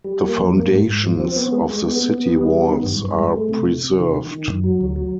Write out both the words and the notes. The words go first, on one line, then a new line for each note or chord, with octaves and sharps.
The foundations of the city walls are preserved.
G3
A#3
F2
A#3
G#2
G#2
F3
C4
B3
G#3
G#3
B3
B3
B3
G3
B3
D#3
G2
G2
G#3
A3
C3
C3
C3
D#3
D#3
D#3
F#2
F#3
D2
F#3